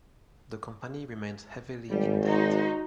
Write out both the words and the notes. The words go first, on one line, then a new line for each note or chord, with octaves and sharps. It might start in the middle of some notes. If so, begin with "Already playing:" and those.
The company remains heavily in debt.
G#1 G3
D#4 F#4 C5